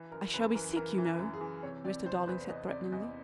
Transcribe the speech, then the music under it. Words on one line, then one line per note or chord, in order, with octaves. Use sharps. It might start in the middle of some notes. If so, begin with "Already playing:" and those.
"I shall be sick, you know," Mr. Darling said threateningly.
Already playing: E3
F#2 A#4
F#2 B4
E3 A#4
E3 A#4
E3
A#4
F#2
G#4
E3
C3 C#5
C3 D5
C3 C5
C5
E2 B4
E2 D#5
C3 D5
E2 D#5